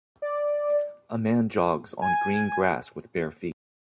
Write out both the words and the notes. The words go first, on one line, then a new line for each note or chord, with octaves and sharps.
A man jogs on green grass with bare feet.
D5
G#5